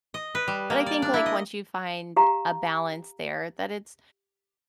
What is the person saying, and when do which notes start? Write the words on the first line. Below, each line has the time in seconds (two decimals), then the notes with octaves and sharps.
But I think, like, once you find a balance there, that it's
0.14 D#5
0.35 B4
0.48 G3
0.70 A#3
0.86 D5
1.02 D4
1.14 E4
1.26 D#5
2.16 G4 F5 A#5